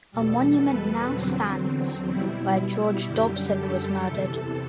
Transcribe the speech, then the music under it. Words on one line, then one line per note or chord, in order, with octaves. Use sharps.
A monument now stands where George Dobson was murdered.
E2 B2 G3 A4
B4
E2 D3 F#3 C4
B2 G3 E4
E4
F#2 D3 G3 G4
A4
E2 C3 E3 A4